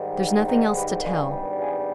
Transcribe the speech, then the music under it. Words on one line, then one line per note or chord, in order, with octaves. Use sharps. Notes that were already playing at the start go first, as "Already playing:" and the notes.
There's nothing else to tell.
Already playing: G#2 D#3 G3
C4 D#4
G4 B4
G#1 G2 D#3 G3 B3 F4 G#4
F4 G#4